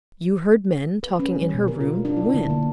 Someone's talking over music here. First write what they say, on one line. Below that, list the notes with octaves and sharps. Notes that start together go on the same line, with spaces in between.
"You heard men talking in her room--when?"
B4
C#4
G3
B2
A#4
F4
D4
E4
D3
A#3